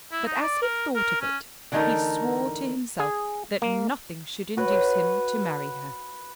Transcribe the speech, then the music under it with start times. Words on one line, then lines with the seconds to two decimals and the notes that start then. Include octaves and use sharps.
But as he thought of it, he swore to himself that nothing should induce him to marry her.
0.12 E4
0.26 D#4
0.42 D5
0.62 A#4
0.95 A#4
1.21 C#4
1.72 D3 E3 A3 D#4 A4 A#4
2.99 G#4
3.62 A#3
4.57 F#4 B4 C#5